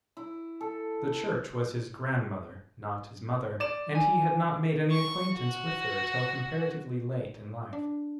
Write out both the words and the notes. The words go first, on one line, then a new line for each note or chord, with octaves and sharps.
The Church was his grandmother, not his mother, and he had not made any acquaintance with her till comparatively late in life.
E4
A4
D5 E7
G#5
C#6
F#4
D4